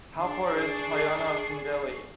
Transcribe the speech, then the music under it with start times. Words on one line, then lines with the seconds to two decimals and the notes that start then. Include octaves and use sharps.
How far is Haryana from Delhi?
0.20 D4 G#4 C#6 C7